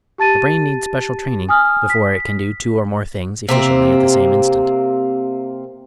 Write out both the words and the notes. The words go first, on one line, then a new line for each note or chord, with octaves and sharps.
The brain needs special training before it can do two or more things efficiently at the same instant.
G4 A5 A6 D#7
G#5 D#6 F6
B6
C3 A#3 C4